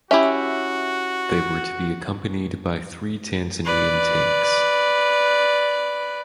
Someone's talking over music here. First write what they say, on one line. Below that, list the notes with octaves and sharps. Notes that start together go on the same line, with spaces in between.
They were to be accompanied by three Tanzanian tanks.
C#4 E4 F#4 G4 E5
B4 D5